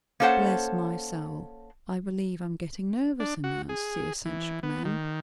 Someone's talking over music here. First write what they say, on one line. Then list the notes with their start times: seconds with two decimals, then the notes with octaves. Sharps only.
"Bless my soul, I believe I'm getting nervous," announced the eccentric man.
0.20 A#3 C#4 A4 C5 C#5 F#5
3.20 D4
3.44 F#4
3.69 G#4
4.25 E3
4.63 B3
4.85 D#3